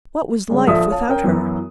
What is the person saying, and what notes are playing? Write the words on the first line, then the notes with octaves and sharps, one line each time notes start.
What was life without her?
C#3 G3 G#3
A#1 F3 A4 E5 A5 D#6
C#5 F5 A5
C#4 A#4 C#5 G5 A#5
F#2 E3 F#3 B3